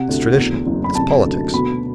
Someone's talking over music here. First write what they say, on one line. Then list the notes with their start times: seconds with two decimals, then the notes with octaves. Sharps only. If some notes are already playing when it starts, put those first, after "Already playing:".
It's tradition--it's politics.
Already playing: C3 F#5
0.09 D2
0.38 E2
0.67 F#1
0.84 B5
0.95 C3 A5
1.24 D2
1.53 B2 B5